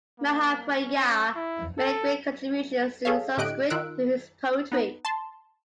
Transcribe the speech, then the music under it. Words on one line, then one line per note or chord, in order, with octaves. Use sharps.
Mahapragya made great contributions to Sanskrit through his poetry.
A#3
C#4
E4
A4
G#4 A4 C#5 F5
A2 D3 G4 D#5 F#6 D7
D#3 F4 A#4 E6 F#6 D7
B3 D#4 B4
A5 C6